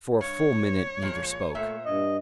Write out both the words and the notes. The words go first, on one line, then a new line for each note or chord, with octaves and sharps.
For a full minute neither spoke.
G2 C#5
A#2 F3 G#3
A#2 A3 E5
G2 D#5